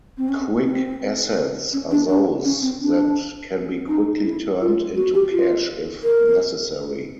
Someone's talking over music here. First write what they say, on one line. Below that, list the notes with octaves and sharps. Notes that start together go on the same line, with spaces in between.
Quick assets are those that can be quickly turned into cash if necessary.
C4
C#4
C4
C#4
D4
D4
C#4
C4
D4
D#4
E4
F4
F#4
G4
F4
A#4